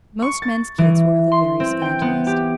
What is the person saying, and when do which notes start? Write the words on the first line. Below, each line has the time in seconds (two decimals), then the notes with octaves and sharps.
Most men's kits were of the very scantiest.
0.22 C#6
0.42 A6
0.78 E3
1.31 C6
1.60 C4
1.82 G5
2.02 B3
2.27 G4